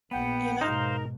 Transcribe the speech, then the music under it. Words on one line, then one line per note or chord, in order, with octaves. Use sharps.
you know?
A#1 B3 F#5 G5
G#2 B2 D#4 A#4 C5 F5